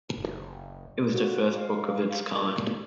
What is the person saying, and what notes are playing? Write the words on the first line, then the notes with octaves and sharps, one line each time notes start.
It was the first book of its kind.
F#1
A#2 F#4
G#3 F5
A#2